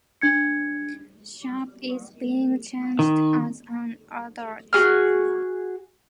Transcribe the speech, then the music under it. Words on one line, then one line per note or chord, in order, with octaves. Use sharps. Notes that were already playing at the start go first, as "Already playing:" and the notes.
Sharpe is being charged as an adult.
D4 G#6 C#7
D#3
F#4 G#4 F6